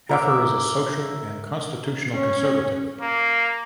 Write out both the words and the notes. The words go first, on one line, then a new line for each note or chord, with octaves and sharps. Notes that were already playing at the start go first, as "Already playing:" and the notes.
Heffer is a social and constitutional conservative.
A#4 E5 D6
C#4
A#3